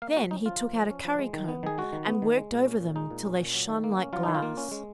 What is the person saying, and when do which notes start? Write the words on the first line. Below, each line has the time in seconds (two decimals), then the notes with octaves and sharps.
Then he took out a currycomb and worked over them till they shone like glass.
0.02 A#3 F5
0.17 F3 F#4
0.31 C#4 D#4
0.46 F3 F4
0.60 A#3
0.75 F3
0.90 C#4
1.05 F3
1.19 G#3
1.33 D#3
1.48 B3
1.63 D#3 G#4
1.78 G#3 F#4
1.93 D#3
2.07 B3
2.22 D#3
2.37 G#3
2.52 A#2
2.66 C#4
2.80 A#2
2.96 G#3 D#4
3.11 A#2
3.25 C#4
3.40 A#2
3.54 F#3
3.69 D#3
3.84 A#3
3.98 C#4
4.13 F#3 F4
4.23 D#3 D#4
4.35 F4
4.42 A#3
4.57 C#4
4.72 G#3